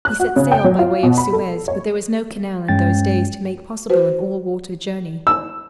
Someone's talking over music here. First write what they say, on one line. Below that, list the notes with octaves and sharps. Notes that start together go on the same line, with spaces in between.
He set sail by way of Suez, but there was no canal in those days to make possible an all-water journey.
F#6
F#4
C#3
G5
F#3
F4
B2
B5
A4
C#5
G2 G#3 C#4 G5 A6
F#4 B4 C5
E6